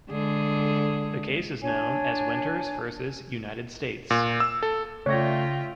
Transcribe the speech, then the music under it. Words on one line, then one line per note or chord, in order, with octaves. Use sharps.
The case is known as "Winters versus United States".
D3 G#3 G#4
D4 C#5 G#5
A#2
E6
A4
C#3 A3 F4 C#5 D5 E5 G5 A#6